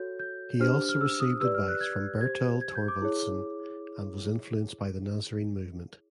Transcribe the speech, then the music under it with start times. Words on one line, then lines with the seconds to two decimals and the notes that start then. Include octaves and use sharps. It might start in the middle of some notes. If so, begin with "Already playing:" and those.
He also received advice from Bertel Thorvaldsen and was influenced by the Nazarene movement.
Already playing: F#4 A4 C#5 G6
0.19 G6
0.60 D4 G4 C5 F6
0.89 F6
1.01 E6
1.20 D#6
1.40 G4 B4 D5 E6
1.55 F6
1.68 F#6
1.81 G#6
2.21 G4 C5 G#6
2.61 G#6
2.75 G6
2.88 D6
3.01 E4 G#4 C#5